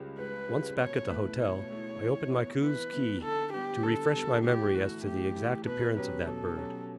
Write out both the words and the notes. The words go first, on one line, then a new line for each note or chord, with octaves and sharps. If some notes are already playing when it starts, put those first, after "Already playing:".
Once back at the hotel, I opened my Coues's Key to refresh my memory as to the exact appearance of that bird.
Already playing: C#2 C#3 G3
C#2 B4
C#3 G3
B2 C#5
A3 E4 B4
B2 C#5
A3 E4
E3
B3 E4
E3 B4
B3 E4
D3 A4
G3 B3 G4
D3 A4
G3 B3
A2 G4
E3 A3 F#4
A2 G4
E3 A3
B2 B4
F#3 C#4 G4 B4
B2 A4
F#3 C#4 G4